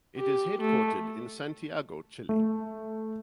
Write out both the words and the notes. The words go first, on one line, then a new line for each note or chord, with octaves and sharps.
It is headquartered in Santiago, Chile.
G4
A3
A3